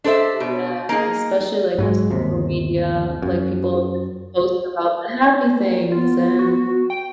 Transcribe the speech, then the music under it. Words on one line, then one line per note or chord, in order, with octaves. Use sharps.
Yeah, especially, like, with social media, like, people just post about the happy things, and
D4 A4 C5 D5 E5
B2
A#3 D#4 G#4
G#2 F#3 G#3
G1 D#2 C3
F#2
A#3
B3 F4
F#4
G5